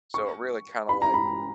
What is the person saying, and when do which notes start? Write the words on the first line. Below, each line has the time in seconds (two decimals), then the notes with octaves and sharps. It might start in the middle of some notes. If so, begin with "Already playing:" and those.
So it really kind of like,
0.14 C#6
0.89 B5
1.02 A#5
1.14 B5